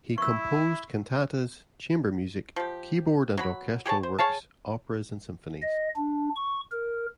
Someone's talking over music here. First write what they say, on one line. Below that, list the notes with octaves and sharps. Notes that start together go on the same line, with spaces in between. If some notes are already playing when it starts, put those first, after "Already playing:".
He composed cantatas, chamber music, keyboard and orchestral works, operas and symphonies.
E4 C#6 E6
F3 G4
F#3 G#4 B5
G4 G#4 C#5 A5
C5
G#4 C#5 F5 A5
D#5
D4
C#6
A#4